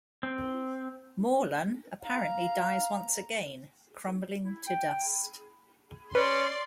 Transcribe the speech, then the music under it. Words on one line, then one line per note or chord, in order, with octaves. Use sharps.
Morlun apparently dies once again, crumbling to dust.
C4
F5 A#5
E4
G5
C#4 B4 D5 C6